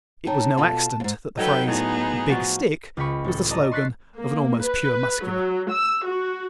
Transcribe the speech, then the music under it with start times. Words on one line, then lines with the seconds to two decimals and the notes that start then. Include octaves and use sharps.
It was no accident that the phrase "big stick" was the slogan of an almost pure Muscular.
0.27 D#4 C#5 G5 A5
0.57 B2 F4 A4
1.00 F2 G#2
1.37 F#3 D#4 A4 B4 G5
1.68 A2 B3 D#4 G#4
2.30 F3 F4 F#4
2.97 C#2 F4 G5 B5 C#6
3.24 A1 A4
3.50 D5 D#5 A5 A#5
3.71 C6 C#6 F#6 A6 B6 C7
4.17 A#3
4.61 B4
5.24 F#3
5.70 E6
6.06 F#4